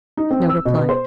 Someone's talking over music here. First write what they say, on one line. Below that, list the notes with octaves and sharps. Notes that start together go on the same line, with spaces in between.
No reply.
D#4
C4
E6
B2
B3
C5